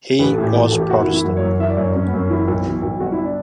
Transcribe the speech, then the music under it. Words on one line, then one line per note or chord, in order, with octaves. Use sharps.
He was Protestant.
A1 B4
A4
A2
G4
E3 F#4
A4
A1
G4
F#1 F#4
E4
E3
E4
F#2 F#4
C#5
F#2
E3 E5
D5
F#2 C#5
D4
F#2 C#4
B3
F#2
C#4
E3 E4
B1
E3
B1
G1 F#4
E4
D4